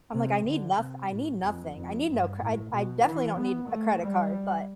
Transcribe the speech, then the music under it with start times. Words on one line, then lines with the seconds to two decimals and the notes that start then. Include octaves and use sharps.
I'm, like, "I need noth I need nothing. I need no cr I'd I definitely don't need a credit card," but
0.13 C3
0.46 D3
0.77 C3
1.10 A2
1.42 F2
1.75 F2
2.07 G2
2.39 A2
2.72 B2
3.04 E3
3.37 B3
3.68 A3
4.01 G3